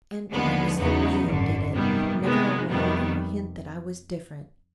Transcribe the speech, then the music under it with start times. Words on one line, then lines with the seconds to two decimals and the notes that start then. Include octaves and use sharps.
And it was the WAY you did it, with never a word or a hint that I was different.
0.31 D#2 D3 F3 G#3 B3
0.79 E2 C#3 F#3 B3 D#4
1.26 G#1 F#2 D3
1.74 C3 D#3 G3 B3
2.21 C3 D#3 G#3 B3
2.69 F2 C3 D#3 G3 B3